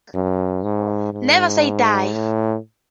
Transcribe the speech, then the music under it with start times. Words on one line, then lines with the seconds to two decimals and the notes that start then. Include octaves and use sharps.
Never say die.
0.15 F#2
0.63 G#2
1.14 G#2
2.13 A2